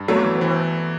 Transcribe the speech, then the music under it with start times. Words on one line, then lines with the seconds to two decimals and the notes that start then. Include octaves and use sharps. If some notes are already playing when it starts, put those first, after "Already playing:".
Yeah, or
Already playing: G2
0.08 F#3 A3 B3
0.24 E3
0.41 E3